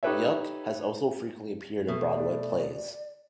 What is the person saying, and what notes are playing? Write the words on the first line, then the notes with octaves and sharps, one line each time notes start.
Yuk has also frequently appeared in Broadway plays.
D#4 G4 A4 B4 C#5 E5
B2 A3
D5